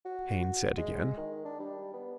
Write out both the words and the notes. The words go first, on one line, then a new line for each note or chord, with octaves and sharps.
Haines said again.
F#4
G#3
D#3
D4
G3
B3